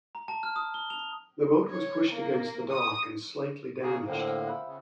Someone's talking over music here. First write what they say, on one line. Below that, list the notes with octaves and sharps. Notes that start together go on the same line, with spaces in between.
The boat was pushed against the dock and slightly damaged.
A#5
A5
F6
D#6
G7
F7
C#5
A#3
D#6
C#3 A#3 G#4
A2 D3 F3 A#3 G5 C6
E5 F5
F#5 B5
C#3